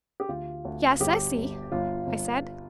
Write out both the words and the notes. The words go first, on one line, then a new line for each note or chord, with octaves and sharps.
"Yes, I see," I said.
G4
D2 F4
D2
G1 G4
G1
G1 F4
G1